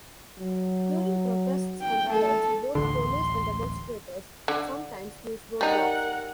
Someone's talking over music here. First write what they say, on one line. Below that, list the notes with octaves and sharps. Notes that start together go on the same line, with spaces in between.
During protests and riots, both police and demonstrators sometimes use roadblocks.
F#3
G5
A3 A4
D1 A1 D3 C6
D3
G3 D#4 A#4 F#5